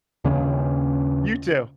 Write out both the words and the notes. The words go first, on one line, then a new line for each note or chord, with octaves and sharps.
You too.
D#2 C#3 B3 C#4